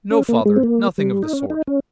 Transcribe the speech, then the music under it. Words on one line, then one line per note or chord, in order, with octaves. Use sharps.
'No, father, nothing of the sort.
C#4
A#3
G#3
C4
A#3
G3
D#4
C#4
D#4
C#4